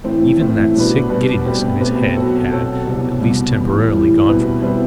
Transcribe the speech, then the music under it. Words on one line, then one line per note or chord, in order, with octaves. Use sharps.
Even that sick giddiness in his head had, at least temporarily, gone from him.
A2 E3 A3 C4
A2 E3 A3 C4
B2 G3 D4 F#4 B4
B2 G3 D4 F#4 B4
B2 A3 C4 G4 B4
B2 A3 C4 G4 B4
B2 F#3 C4 F#4 A4
B2 F#3 C4 F#4 A4
C2 B2 G3
C2 B2 G3
A2 E3 G3
A2 E3 G3
B2 G3 C4 E4 B4
B2 G3 C4 E4 B4